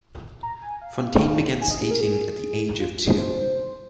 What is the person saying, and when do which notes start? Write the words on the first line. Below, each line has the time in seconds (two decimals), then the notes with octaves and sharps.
Fontaine began skating at the age of two.
0.43 A#5
0.62 G#5
0.81 F5
1.61 G#5
1.71 D#5
1.81 G#4
1.91 A#4
2.01 G#4
2.80 F4
3.06 G#4
3.18 C5